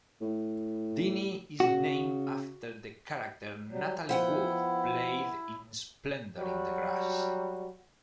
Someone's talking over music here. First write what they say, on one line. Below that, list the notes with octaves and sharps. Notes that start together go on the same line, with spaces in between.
Deenie is named after the character Natalie Wood played in "Splendor in the Grass".
A2
C#3 F#4
F#3 G3
F3 B3 E4 F#5 G5
F#3 G3 F#4